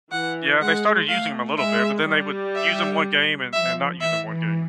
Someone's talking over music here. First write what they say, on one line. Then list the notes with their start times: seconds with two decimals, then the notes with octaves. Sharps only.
Yeah, they started using him a little bit, but then they would use him one game and and not use him one game.
0.12 E3 F#5
0.62 G#3 F#5
1.09 A3 F5
1.58 G#3 E5
2.07 G3
2.56 E5
3.52 F3 E5
4.01 E3 E5